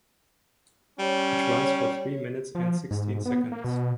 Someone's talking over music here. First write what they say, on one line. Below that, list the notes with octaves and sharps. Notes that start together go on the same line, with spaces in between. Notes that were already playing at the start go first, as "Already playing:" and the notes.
It runs for three minutes and sixteen seconds.
G3 C#4 C#5
F3
G#2
B3
A#3
B2